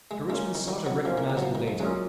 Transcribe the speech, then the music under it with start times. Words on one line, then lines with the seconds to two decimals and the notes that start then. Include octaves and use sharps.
Sir Richmond sought a recognizable datum.
0.11 G#3
0.30 G#3 A#3 C#4 F4 A#4 C#5
0.55 D#3
0.68 D#3
0.86 F#3
1.05 F3 A#3 C#4 F4 C5 F5
1.18 D#3
1.30 C#3
1.37 F#3
1.42 F3
1.55 D#3
1.68 F3
1.80 F#3 G#3 A#3 C#4 F4 G#4